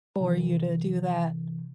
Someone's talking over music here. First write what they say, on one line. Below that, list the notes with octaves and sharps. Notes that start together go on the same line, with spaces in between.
for you to do that,
C3 E3